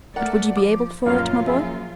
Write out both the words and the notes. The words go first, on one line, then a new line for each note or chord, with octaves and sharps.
"But would you be able for it, my boy?"
A3 A#4 D5 F#5
F3 D6
F#2 A#2 F3 F4 A#4 C#5 F5
G#4 E5